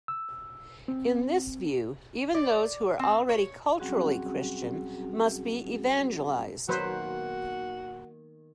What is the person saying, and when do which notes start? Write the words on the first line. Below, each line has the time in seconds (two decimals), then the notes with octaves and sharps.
In this view, even those who are already culturally Christian must be "evangelized".
0.08 E6
0.88 C4
2.34 D5
2.99 C4
3.29 C#5
3.79 F#3 G3 C4 C#4 F#4 G#4
6.69 D#3 F#3 A#3 B3 F#4 B4 C5